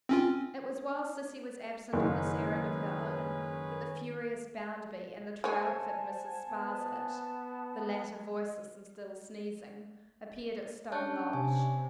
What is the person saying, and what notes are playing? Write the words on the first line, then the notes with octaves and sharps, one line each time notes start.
It was while Sissy was absent on this errand of her own that the furious Bounderby and the triumphant Mrs. Sparsit, the latter voiceless and still sneezing, appeared at Stone Lodge.
C4 C#4 F4
F#1 D#3 C#4 G#4 B4
G#3 C5 C#5 F#5 G#5 A5
B3
C#4 D4 A5 C#6 F#6 G6
C3 G#5